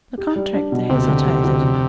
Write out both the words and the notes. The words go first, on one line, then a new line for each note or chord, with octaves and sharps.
The contractor hesitated.
G4
G3
D4
B2
D2 C3
D3
G3
D2
F1